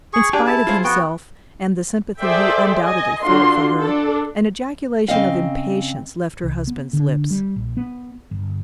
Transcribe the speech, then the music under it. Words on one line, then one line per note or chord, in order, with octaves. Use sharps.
In spite of himself and the sympathy he undoubtedly felt for her, an ejaculation of impatience left her husband's lips.
G#4 C#6
D4 G4 G#4
E4 A5
F4 G#4 C5
F2 B3 F#4 G5
G#4 A4 C5 D5 E5 G5
D#5 G#5
D3 D4 F4 F#4 C6
D4 A4
C#3 C4 D#5 F5
C2
B3
D3
G3
A#1
B3
G1